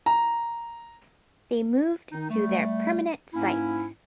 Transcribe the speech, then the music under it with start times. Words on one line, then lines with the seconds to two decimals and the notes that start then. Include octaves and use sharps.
They moved to their permanent sites.
0.06 A#5
2.12 D#3 D#4
2.30 G3 A3
3.34 G#2 A#3 C#4 E4